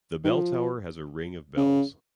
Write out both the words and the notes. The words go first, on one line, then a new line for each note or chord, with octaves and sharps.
The bell tower has a ring of bells.
D#3
F3
C#3